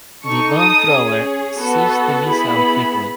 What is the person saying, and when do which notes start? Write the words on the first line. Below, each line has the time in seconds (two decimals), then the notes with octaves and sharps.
The bomb-thrower seized the missile quickly.
0.23 D#4 A4 C#6
0.56 D#6
0.90 C#4 G#4
1.58 B3 F#4 A4
2.25 B3 E4 G#4 B5